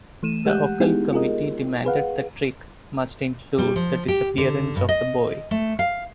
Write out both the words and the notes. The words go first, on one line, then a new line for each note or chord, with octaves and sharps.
The Occult Committee demanded the trick must include the disappearance of the boy.
E3 A3 D#7 E7
G#3 G4 F#5 F#6 G6
G#3 B3 D#4 E4 G4 G#4
F4 G#4 A#4 D#5
G#4 B4 F5 F#5
G3
F3
G4
D3
G2
D#5
A3
F5